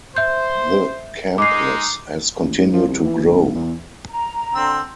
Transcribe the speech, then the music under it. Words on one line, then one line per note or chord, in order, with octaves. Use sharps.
The campus has continued to grow.
C5 E5 G6
G#3 D#4 D6 C7
A1
G#2
F3
C2
E3
G1
E2
A#5
D3 C4 E6